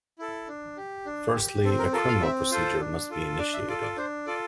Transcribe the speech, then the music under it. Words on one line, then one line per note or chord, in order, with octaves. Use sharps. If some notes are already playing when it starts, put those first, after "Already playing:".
Firstly, a criminal procedure must be initiated.
E4 A4
D4
G4
D4
G4
C4 A4
A#4
F4 A4 A#4
F5
C4 E5
F4 A4 C5
D4
F4 A4
D4 D5
E5
F4 A4 D5
D5
D4 C5
F4 A4 D5